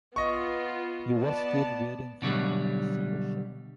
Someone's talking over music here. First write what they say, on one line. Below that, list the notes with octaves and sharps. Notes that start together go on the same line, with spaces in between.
He rescued Reading from receivership.
B3 F4 D#5 C#6
B3 D5 A5
B2 D3 F#3 G3